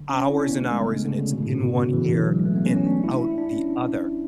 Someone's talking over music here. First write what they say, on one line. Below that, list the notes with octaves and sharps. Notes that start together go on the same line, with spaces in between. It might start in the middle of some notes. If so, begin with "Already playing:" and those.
hours and hours, and it's in one ear and out the other.
Already playing: D3
C#4
C#4
E4
D4
B3
A3
G#3
D3
C#3
D3
C#3
B2
G#2
A2
B2
C#3
B2
C#3
D3
E3
D3
E3
F#3
G#3
A3
B3
C#4
C#4
D4
E4
D4
E4
D4
C#4